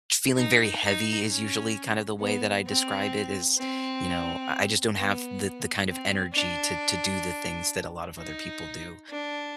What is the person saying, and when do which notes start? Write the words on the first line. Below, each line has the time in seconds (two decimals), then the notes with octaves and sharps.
feeling very heavy is usually kind of the way that I describe it is, you know, I I just don't have the the kind of energy to to do the things that a lot of other people do,
0.36 D#4
0.82 D#4
1.28 C#4
2.20 B3
2.66 C4
3.58 C4
4.97 B3
5.89 C4
6.34 D4
8.19 D#4
9.11 D4